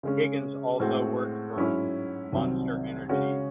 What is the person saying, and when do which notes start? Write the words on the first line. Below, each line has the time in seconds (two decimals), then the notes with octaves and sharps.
Higgins also worked for Monster Energy.
0.03 C#3 G#3 C#4
0.80 A2 G#3 C4 F#4
1.56 G#2 F#3 C#4 E4
2.33 C2 C3 D#3 F#3 C4
3.09 C#3 G#3 C#4 F#4